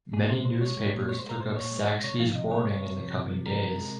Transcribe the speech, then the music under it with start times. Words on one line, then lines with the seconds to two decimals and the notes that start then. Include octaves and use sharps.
Many newspapers took up Saxby's warning in the coming days.
0.13 A#2 G#4
0.29 G#3 C5
0.45 A#2 C5
0.61 G#3 C#5
0.77 G#3
0.93 A#2
1.08 G#3 C#5
1.19 C5
1.24 G#3
1.29 A#4
1.40 A#2 C5
1.56 A#2 C#5
1.71 G#3
1.88 G#3
2.04 C3 C#5
2.19 F3 F5
2.35 C3 D#5
2.51 G#3 C#5
2.67 C3
2.83 C3
2.99 F3
3.15 C3
3.30 F3
3.46 F3 A#4
3.63 C3
3.78 G#3